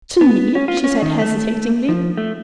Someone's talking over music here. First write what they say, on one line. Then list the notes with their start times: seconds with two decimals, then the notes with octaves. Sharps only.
"To me?" she said, hesitatingly.
0.21 B3
0.55 C#4
0.68 F4
0.84 C#4
1.02 D#3
1.22 A3
1.89 F3
2.17 A3